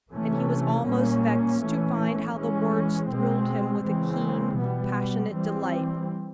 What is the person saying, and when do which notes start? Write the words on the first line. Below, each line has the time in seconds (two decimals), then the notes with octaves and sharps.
And he was almost vexed to find how the words thrilled him with a keen, passionate delight.
0.11 C3 E3 A3 C#4
0.85 A#2 G3 A#3 C#4
1.60 E3 A3 C#4
2.35 E3 G#3 C#4
3.08 B2 G#3 C4
3.84 C#3 E3 G#3 C4
4.57 B2 G3 B3
5.32 E3 G3 C4